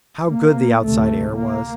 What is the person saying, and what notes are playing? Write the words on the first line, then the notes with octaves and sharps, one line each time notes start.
How good the outside air was!
A#3
D2 C3 A3
A#3